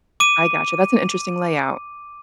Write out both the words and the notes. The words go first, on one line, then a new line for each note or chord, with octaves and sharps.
I gotcha. That's an interesting layout.
D6 D#7